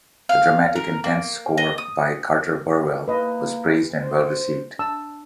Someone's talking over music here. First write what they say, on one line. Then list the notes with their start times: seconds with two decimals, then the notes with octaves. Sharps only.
The dramatic and tense score by Carter Burwell was praised and well received.
0.29 F5
0.76 A#4
1.04 A#3
1.58 D#5
1.78 D#6
3.08 A#3 B4 D#5
4.02 C5
4.79 D4 A5 E6